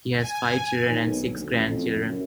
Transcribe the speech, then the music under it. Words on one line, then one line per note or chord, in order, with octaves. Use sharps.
He has five children and six grandchildren.
G#5
D#2
B1
D2
A1
F2
F#1
F#2